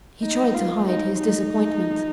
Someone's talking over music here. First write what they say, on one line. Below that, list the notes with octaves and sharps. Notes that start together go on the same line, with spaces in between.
He tried to hide his disappointment.
D#4
F4
D#4
D#4